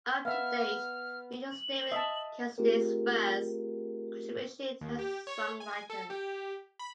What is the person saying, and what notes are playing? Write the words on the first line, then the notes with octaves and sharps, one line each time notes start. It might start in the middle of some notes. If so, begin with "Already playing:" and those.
"Up to Date" features David Cassidy's first contribution as a songwriter.
B3 E5 F5 F6
F#7
D#5 E5 A5
A3 C4 F4 G4 G#4 A#4
D#2
G4
C#5
G#5
A4
G4
B5